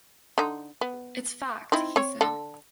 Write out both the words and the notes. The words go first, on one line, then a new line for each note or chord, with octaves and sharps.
"It's fact," he said.
D3 D#4
B3
C4 D#4 E4
C4 C#5
D3 A4